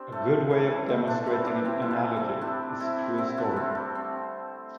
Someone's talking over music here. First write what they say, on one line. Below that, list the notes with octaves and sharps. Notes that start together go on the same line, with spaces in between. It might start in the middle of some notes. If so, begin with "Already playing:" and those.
A good way of demonstrating an analogy is through a story.
Already playing: C4 D4 G4
A2 A3
E3 G3 A3
A2 C4
A3 D4
E3 G3 C4 E4
D4 G4
C3 C4 E4
E4
A3 D4
A3
C4 E4
C3 D4 G4
A3 C4 E4
D3 C4 E4
A3 D4
A3
G3 C4
A3
D3 C4